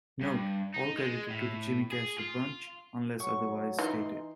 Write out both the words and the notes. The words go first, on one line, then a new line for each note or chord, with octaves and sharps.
Note: All credited to The Jimmy Castor Bunch unless otherwise stated.
G2
D#4
G#3
A2
G#4
F4
F#3 C#6
E3 D#4 C6